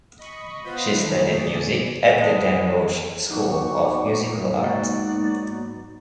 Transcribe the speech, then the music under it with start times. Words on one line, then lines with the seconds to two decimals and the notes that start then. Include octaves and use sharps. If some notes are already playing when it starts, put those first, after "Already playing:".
She studied music at the Damrosch School of Musical Art.
0.19 D#5 B5 C#6
0.64 B3 F4 B4 C5 D#5 B5
0.98 D#3 G3 A3 D#4
1.36 A#2 D3 A3 G#4 D6 A6
2.18 E3 G#3 B3 D4
3.29 F#3 B3 D#4 F#5 C#6 D6
4.56 G#2 A#3 F#4 D5